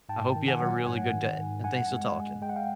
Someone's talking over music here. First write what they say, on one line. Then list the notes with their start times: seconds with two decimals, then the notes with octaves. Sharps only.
I hope you have a really good day, and thanks for talking.
0.09 G#2 G5 A5
0.36 D#3
0.48 F#5 G#5
0.61 F#3
0.87 G#2 F#5 G#5
1.13 D#3
1.38 G#2
1.64 G2 F#5 G#5
1.90 G#3
2.17 G#3
2.42 G#3 G5
2.49 F#5
2.56 F5 G5